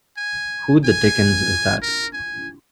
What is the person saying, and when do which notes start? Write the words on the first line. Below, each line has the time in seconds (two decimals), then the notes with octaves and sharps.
Who the dickens is that?
0.17 G#5
0.85 G#5
1.82 A#4
2.13 G#5